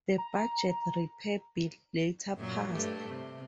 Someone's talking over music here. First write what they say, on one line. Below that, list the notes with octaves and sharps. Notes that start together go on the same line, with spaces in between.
The Budget Repair bill later passed.
A#5
F#2 A#2 F#3
G2 G3 A3
C3